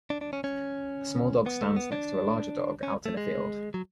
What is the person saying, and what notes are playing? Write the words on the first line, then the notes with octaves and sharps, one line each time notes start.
A small dog stands next to a larger dog, out in a field.
D4
D4
C#4
C#4
B3
A3
B3
D4
C#4
A3
G#3
F#3